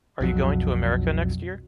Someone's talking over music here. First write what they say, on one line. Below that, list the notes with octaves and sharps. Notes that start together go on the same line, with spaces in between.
Are you going to America next year?
B1 F2 F#3